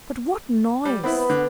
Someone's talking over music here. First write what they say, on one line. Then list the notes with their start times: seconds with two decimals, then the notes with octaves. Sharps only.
But what noise!
0.85 G3
1.04 B3 C4 E4 B4
1.30 D3